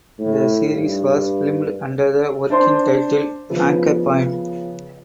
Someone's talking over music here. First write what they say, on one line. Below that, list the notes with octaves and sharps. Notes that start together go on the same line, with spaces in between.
The series was filmed under the working title "Anchor Point".
A2
G2
D4 C5 C6
C#3 F3 B3